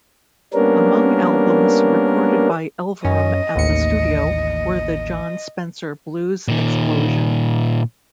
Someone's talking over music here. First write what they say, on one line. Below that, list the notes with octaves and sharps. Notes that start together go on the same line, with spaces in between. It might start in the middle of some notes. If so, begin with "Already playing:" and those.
Among albums recorded by Elverum at the studio were the Jon Spencer Blues Explosion.
G3 A#3 B3 C#4 D4 A#4
F#2 C#4 D#5
A1 D#2 C#7
A#2 D#3